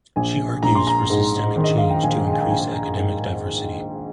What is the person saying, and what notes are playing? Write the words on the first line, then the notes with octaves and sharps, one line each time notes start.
She argues for systemic change to increase academic diversity.
A#1 G#5
A#1 A#5
C6
A#5
G#2
D#3
D#5
F5
G5
A#1 G#5
G5
G#5
G5
A#1 G#5
A#5
G#2